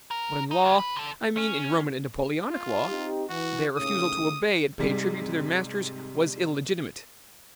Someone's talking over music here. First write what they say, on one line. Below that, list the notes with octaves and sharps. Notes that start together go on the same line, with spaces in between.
But in law--I mean in Roman and Napoleonic law--their refusal to obey and pay tribute to their masters was illegitimate.
A#4
D#4
G#3 F4
B4
D3 A4
C#4
F4
C4 D#4 G4
E3 F#4
D#2 A2 C#3 D#6
G#2 C3 G3